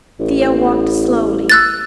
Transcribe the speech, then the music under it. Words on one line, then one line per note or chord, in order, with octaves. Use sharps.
Thea walked slowly.
A1
E6 F#6 A6